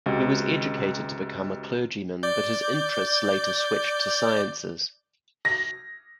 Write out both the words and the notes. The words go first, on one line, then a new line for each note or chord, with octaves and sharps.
He was educated to become a clergyman, but his interests later switched to sciences.
C#2 C3 F#4 D#5
D5 G6
A#6